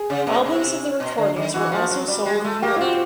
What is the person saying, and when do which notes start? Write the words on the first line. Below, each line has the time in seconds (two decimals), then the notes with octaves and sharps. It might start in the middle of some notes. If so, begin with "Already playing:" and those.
Albums of the recordings were also sold in Europe.
Already playing: G#4
0.10 C#3
0.27 B2
0.45 C3
1.00 B2
1.18 D3
1.36 D#3
1.54 E3 F#4
1.72 F3
1.91 F#3
2.08 G3
2.26 G#3
2.44 A3
2.62 A#3 G4
2.76 F4
2.81 C4 F#4